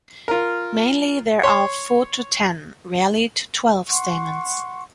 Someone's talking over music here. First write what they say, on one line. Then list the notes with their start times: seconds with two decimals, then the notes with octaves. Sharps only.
Mainly there are four to ten, rarely to twelve stamens.
0.28 F4 A#4
1.43 C#5 C6
3.89 F#5 C6 C#6